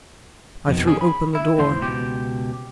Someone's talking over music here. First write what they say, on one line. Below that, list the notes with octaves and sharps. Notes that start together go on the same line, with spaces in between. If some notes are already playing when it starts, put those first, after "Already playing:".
I threw open the door.
F2 B2 D#3
D#3 C#4 G#4
B5
E4
D#2 G#2 E3 C5 C6
C#2 B2 G4